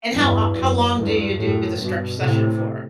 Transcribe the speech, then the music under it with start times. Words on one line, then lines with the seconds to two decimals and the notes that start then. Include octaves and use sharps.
And how o how long do you do the stretch session for?
0.15 E2 G2
0.57 F#2
0.98 E2 G2
1.40 F#2 A2
1.80 G2 B2
2.21 A2 C3